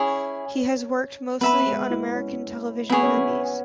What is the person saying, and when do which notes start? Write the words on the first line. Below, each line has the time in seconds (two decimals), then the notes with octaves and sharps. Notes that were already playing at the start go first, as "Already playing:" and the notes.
He has worked mostly on American television movies.
Already playing: C#4 E4 G#4 C#5
1.41 B3 B4 E5 B5
1.62 B3
1.66 G#3
1.90 E4
2.15 C#4
2.89 B3 E4 G#4 C#5
3.03 C#4
3.17 B3